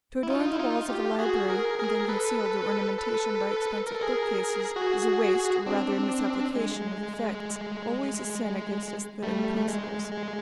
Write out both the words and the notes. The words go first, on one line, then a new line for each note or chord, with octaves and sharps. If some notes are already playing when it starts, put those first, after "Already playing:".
To adorn the walls of a library, and then conceal their ornamentation by expensive bookcases, is a waste, or rather a misapplication, of effects--always a sin against aesthetic principles.
E4
D#4 F4
E4
D#4 F4
F4 G4
F#4 G#4
G#4 A#4
G#4 A#4
A4 B4
A4 B4
A#4
A4
G#4 A#4
F#4 G#4
C4 D4
G#3
G3 A3
A3
G#3
G#3